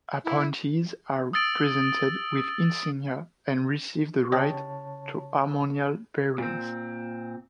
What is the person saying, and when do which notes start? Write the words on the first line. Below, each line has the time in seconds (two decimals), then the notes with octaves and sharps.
Appointees are presented with insignia and receive the right to armorial bearings.
0.24 E4
1.33 D#6 E6 A6 D7 F#7
4.32 C#3 G4 C#5 D#5 A5
6.38 A#2 C4